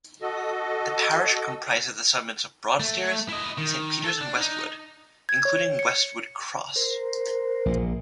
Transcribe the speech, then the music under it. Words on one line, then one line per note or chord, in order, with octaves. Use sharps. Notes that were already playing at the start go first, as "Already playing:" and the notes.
The parish comprises the settlements of Broadstairs, Saint Peter's and Westwood, including Westwood Cross.
F#4 A4 D#5
A3
E4 D#5
D#3
A4
D4
D#4
G#6
C#5
C#7
A#4 C5
A#1 A#2